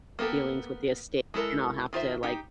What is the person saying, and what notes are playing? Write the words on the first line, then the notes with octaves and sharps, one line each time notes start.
dealings with the estate, and I'll have to, like,
A#3 B3 G4 A4
G#3 E4 A4 A#4
D#3 F4 C5 E5
D#4 G4